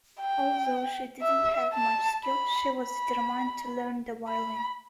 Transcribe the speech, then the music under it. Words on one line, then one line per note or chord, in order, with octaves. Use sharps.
Although she didn't have much skill, she was determined to learn the violin.
G5
E5
A5
B5
B5
B5